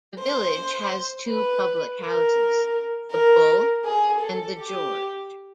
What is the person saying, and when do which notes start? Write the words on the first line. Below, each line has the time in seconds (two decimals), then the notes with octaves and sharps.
The village has two public houses - The Bull and The George.
0.19 C5
1.28 B4
2.01 A#4
3.12 A#4
3.85 G#4
4.21 A4
4.58 G4